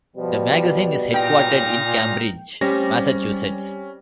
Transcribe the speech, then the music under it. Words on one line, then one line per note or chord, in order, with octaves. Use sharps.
The magazine is headquartered in Cambridge, Massachusetts.
B2 F3 G3
A#2 D#4 F5 G5 A#5
G3 C4 C#4 G4 A#6